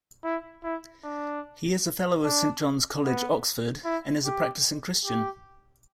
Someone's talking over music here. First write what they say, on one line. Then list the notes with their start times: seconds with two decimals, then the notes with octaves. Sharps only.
He is a Fellow of Saint John's College, Oxford, and is a practising Christian.
0.24 E4
0.64 E4
1.04 D4
2.24 D4
3.05 B3
3.85 E4
4.25 G4
5.05 G4